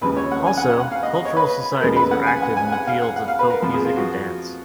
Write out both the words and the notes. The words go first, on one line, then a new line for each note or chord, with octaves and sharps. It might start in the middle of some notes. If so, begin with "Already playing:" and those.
Also, cultural societies are active in the fields of folk music and dance.
D#2 C#3 F3 G#3 B4
C#5
F#5
G#5
F#5
F#5
F#5
F5
D#5
D#5
C#5
B4
D#2 C#3 F3 G#3 B3 A#4
B4
F#5
G#5
F#5
G#5
F#5
F5
F#5
F#5
F5
B4
A#4
F2 F3 B3
G#4
F4
F#4